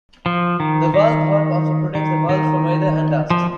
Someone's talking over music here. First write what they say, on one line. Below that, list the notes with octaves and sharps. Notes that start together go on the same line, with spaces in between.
The valve hall also protects the valves from weather and dust.
F3
D#3
D#3
D#3
D#3
F3